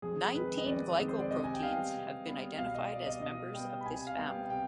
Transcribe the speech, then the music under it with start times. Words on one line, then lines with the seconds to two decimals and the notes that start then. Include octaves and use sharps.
Nineteen glycoproteins have been identified as members of this family.
0.02 F2 G#4
0.35 D#3 G#3 C4 B4
0.58 D#5
0.66 F2 D5
0.99 D#3 G#3 C4
1.08 C5
1.19 D5
1.31 C3 D#5
1.44 G#5
1.54 G5
1.63 G3 B3 F5
1.94 C3
2.26 G3 B3
2.58 B2 F5
2.75 D#5
2.90 G3 B3 D5
3.06 D#5
3.22 B2 D#5
3.54 G3 B3 G5
3.81 B5
3.86 C3 G#5
4.07 F5
4.18 G3 B3
4.29 G5
4.49 C3 G5